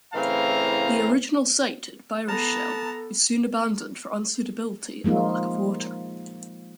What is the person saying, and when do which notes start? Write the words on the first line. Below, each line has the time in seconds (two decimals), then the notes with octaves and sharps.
The original site at Bayrischzell was soon abandoned for unsuitability and lack of water.
0.14 A2 C#3 E3 C4 F5 A#5
2.29 B3 A4 A5 A#5
5.04 F3 G#3 A#3 D#4 F4